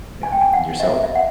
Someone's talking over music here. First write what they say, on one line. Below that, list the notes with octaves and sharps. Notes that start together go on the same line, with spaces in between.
Yeah, and yourself?
G#5
G5
G#5
F#5
D#5
E5
E5
F#5